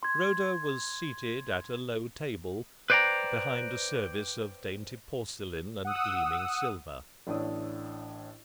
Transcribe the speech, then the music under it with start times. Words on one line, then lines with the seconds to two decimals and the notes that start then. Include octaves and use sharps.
Rhoda was seated at a low table, behind a service of dainty porcelain and gleaming silver.
0.03 C6 G#6
2.90 B4 C5 D5 D#5 G5 A#5
5.85 F#5 D#6 E6
7.27 A1 A2 D4 C#5 D#6 E6